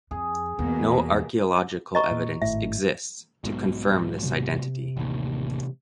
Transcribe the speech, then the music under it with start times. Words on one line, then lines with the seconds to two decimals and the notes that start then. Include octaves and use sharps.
No archaeological evidence exists to confirm this identity.
0.11 F2 G#4
0.59 E2 B2 A#3 B3
1.95 D#5 A#5 C#6
2.11 A#2
2.42 G#1 A2 E5
3.44 B1 G#2 B2
4.23 C3
4.97 A1 D#2